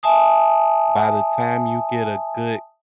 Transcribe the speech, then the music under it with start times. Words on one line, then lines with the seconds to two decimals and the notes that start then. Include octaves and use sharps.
by the time you get a good
0.03 E5 G#5 A5 D#6